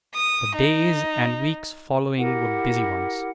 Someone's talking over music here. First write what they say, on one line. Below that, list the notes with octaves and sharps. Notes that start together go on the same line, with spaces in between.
The days and weeks following were busy ones.
D#6
D#4
E4 G4 A#4 F#5